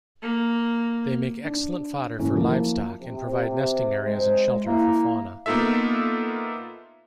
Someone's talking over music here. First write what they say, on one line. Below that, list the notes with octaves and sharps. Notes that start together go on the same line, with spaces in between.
They make excellent fodder for livestock and provide nesting areas and shelter for fauna.
A#3
D4
D#2 G#2 E3 A3 C#4
F3 A#3 E4 F#4
C3
C3 G#3 C5
A#3 E4
A#3 B3 D#4 F4 A4 E5